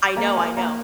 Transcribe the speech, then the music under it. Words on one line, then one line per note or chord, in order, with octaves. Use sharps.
I know, I know.
A#3 A#5
A#3 G#5
A#3 A#5